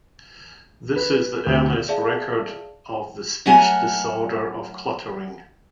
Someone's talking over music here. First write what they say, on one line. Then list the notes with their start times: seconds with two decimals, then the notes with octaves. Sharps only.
This is the earliest record of the speech disorder of cluttering.
0.96 B4
1.46 D2
1.88 G#4 D5 E5 F5 A5
3.46 F#3 A3 A#4 F#5 G#5